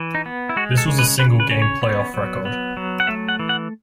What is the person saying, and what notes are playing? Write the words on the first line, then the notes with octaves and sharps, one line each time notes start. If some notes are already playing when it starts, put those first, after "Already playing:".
This was a single game playoff record.
Already playing: E3
D#4
B3
E4
G#3 F#4
A4
C#3
B4
C#3 B4
B4
C#4
C#5
B3
F#3
B3
F#3
F#5
A3 E5
F#5
E3
F#5